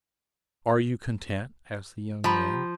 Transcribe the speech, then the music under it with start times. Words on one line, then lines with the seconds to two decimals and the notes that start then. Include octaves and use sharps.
"Are you content?" asked the young man.
2.24 F3 G4 A#5 B5